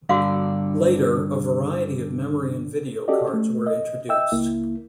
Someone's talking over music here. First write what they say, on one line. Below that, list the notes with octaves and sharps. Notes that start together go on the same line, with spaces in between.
Later, a variety of memory and video cards were introduced.
G2 D3 F#4 D5 F5
C#4 F#4 G4 A4 D5 D#5
A3
D#5
D#5 E5 G5 E6
C#2 A#3 E4